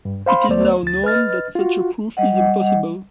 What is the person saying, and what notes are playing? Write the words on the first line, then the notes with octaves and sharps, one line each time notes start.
It is now known that such a proof is impossible.
G2
C5 F5 B5 C6
D2 A3 B3 C5 D5
D2 A6
B4 D#5 F6 A6
F4 F#4
G3 D#5 F#5